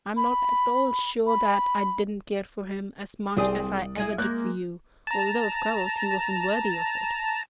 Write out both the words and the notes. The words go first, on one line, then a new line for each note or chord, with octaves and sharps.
I am not at all sure that I didn't care for him as much as I ever did for you, although, of course, he wasn't worthy of it.
B5
B5
C2 C4 G4 G#4 D5 D#6
E4 G#4 D#5
G#3 A#3 F#6 G6
A5 A#5